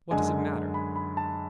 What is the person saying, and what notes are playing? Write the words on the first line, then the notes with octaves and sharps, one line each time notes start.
What does it matter?
F#2 D3 G#3 G#5
B5
B5
A5